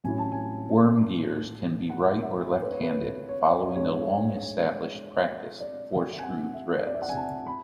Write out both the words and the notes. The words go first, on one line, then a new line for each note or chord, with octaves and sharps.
Worm gears can be right or left-handed, following the long-established practice for screw threads.
A1 A2 F#3 C#4 E4 G#5
A5
G#5
F#5
E5
C#5
B4
C#5
B4
C#5
G#2 G#3 D4 C#5
D5
E5
G#5
F#5
E5
D5
E5
F#5
G#5
A5
B5